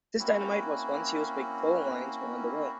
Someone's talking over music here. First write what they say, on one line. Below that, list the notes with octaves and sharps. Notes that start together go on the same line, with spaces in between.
This dynamite was once used by coal mines around the world.
A#3 C4 C#4 E4 F#4